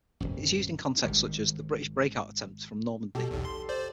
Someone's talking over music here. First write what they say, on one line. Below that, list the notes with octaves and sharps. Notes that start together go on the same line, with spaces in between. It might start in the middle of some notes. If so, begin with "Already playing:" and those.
It is used in contexts such as: "The British breakout attempt from Normandy".
D1 G#1 F#2
G#1 G#2 D#3 G3
B2 G4 A4
B1 E2
C6
C5 D5